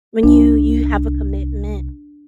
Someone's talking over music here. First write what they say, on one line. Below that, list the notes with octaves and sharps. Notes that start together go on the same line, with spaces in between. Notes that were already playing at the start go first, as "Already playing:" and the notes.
when you you have a commitment,
C2 D4